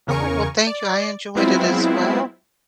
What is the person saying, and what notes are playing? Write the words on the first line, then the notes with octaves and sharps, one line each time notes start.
Oh, well, thank you. I enjoyed it as well,
E2 C#3 A#4 G#5 C#6
D5
F#3 G#3 B3 C4 E4 F4